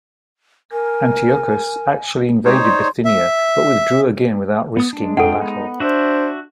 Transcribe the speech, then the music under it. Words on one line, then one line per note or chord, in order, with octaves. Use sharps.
Antiochus actually invaded Bithynia but withdrew again without risking a battle.
A#4 G#5
G#3 D#4 G4 C5 C#5
D5 C6
E5
B3 D#6
G#3 D4
F2 D4 F4 A4 F#5 G5
B3 D#4
D4 F#4 C5 E5